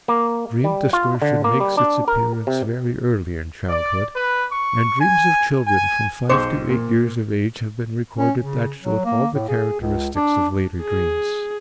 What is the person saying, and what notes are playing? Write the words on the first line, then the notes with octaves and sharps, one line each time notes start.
Dream distortion makes its appearance very early in childhood, and dreams of children from five to eight years of age have been recorded that showed all the characteristics of later dreams.
A#3
G3
F4
D3
A#3
G3
D4
A#4
C3
D5
B4
C#6
G#5
G#5
B1 G#4 C5 D6 C#7 E7
A#2
C#4
C#3
F#3
A#3
A2
G#4
C#2
D4
G#4